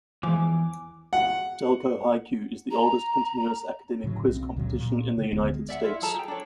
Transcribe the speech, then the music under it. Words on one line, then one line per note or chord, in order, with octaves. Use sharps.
Delco Hi-Q is the oldest continuous academic quiz competition in the United States.
E2 E3 F3 G#3 G#5 D6
F#5
A#5
A2 C#3 F#3
B1 C4
C#2 A#2 C#3 F#3
A#2
C#3
D1 D2 G#3 B3
D5 E5 F#5
E4 F4 E5
G#4 A4 A5 A#5
G4 G5
D4 A4 C#5